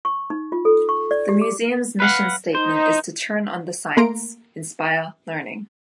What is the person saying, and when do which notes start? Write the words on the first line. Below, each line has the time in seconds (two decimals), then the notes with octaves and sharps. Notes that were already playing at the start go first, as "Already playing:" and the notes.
The museum's mission statement is to Turn on the science: Inspire learning.
0.05 C#6
0.30 D#4
0.52 F4
0.65 A4
0.89 C#6
1.11 D5
1.29 G4
1.42 D6
2.00 B4 F5 F#5
2.55 D#4 C5
3.97 A3 A#3 A#5 C6 D7